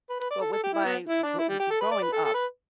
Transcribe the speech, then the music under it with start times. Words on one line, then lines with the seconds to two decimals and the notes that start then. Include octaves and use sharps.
Well, with my gro growing up,
0.09 B4
0.20 B4
0.30 D5
0.41 A4
0.52 A4
0.63 G4
0.73 E4
0.84 B3
1.09 E4
1.23 D4
1.38 E4
1.49 G3
1.59 G4
1.70 A4
1.81 B4
1.91 D5
2.02 B4
2.13 A4
2.24 A4
2.34 B4